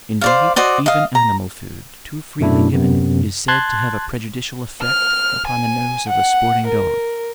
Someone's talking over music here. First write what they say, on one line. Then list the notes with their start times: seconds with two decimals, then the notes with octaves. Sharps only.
Indeed, even animal food too freely given is said to have a prejudicial effect upon the nose of a sporting dog.
0.21 C5 D5 F5
0.56 F#4 C5 D5 D#5
0.86 D#5 F5
1.15 A#5
2.40 F#2 B2 A3 D4 E4
2.73 F#2 C3 B3
3.48 A5 C6 F#6 G#6 A6
4.82 F6
5.47 G#5
6.09 F#5
6.67 A#4